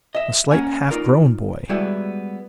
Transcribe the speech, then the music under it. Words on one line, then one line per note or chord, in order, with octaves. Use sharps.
A slight, half grown boy.
D#5 E5
A#3 C#4 F#5 G#5
D#4 F4 A#4 D5
G3 G#3 B3 E4 F#4 F#5